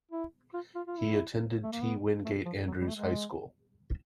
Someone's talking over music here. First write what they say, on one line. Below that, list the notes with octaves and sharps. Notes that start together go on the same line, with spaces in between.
He attended T. Wingate Andrews High School.
E4
F4
F4
F4
E4
A3
A#3
B3
A3
F3
F#3
G3
A3
G#3